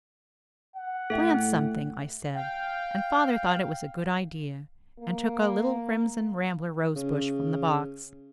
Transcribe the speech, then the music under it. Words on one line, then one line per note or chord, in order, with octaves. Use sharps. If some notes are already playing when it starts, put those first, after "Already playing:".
"Plant something!" I said, and father thought it was a good idea and took a little crimson rambler rose bush from the box.
F#5
A2 A4 E5 G5
F5 G5
A#3
C#3